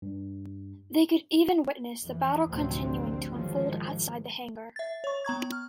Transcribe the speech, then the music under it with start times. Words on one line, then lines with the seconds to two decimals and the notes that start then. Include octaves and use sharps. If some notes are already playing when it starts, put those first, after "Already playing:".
They could even witness the battle continuing to unfold outside the hangar.
0.02 G2
2.00 F2 E3
2.49 A1 D2 C3 F3 F#3 C4
3.28 G#2 D#3 F3 F#3 G#3
4.76 E5 A6
5.04 C#5 C#6
5.25 B3 A#5 C#6 G#6
5.52 F6